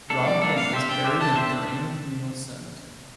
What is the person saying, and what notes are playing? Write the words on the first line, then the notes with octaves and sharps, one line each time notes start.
Ranken is buried in Braine Communal Cemetery.
A#3 D4 A4
G3 D5
A#3 D4 A4
D4 F5
G4 C5 E5
D4 G5
G4 C5 E5
D4 A5
G4 C5 E5
D4